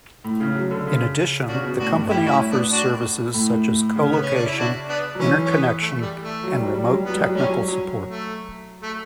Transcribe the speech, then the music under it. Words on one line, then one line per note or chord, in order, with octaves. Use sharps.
In addition, the company offers services such as colocation, interconnection and remote technical support.
A2
C#3
F#3
D3
C#3
C#3 D4 F#4
B2
A2 D4 F#4
G2
A2 E4 G4
F#4
C#4 E4
B3 D4
D4 F#4
A2
C#3
B3
C#4
D4
E4
D4 F#4
B3 D4
F#3
E3 C#4
C#4
B3
A3
G3
A3
F#3
G3
F#3
G3
F#3
G3
F#3 B3
G3
F#3
G3 C#4
F#3
F#3 C#4
A3
A3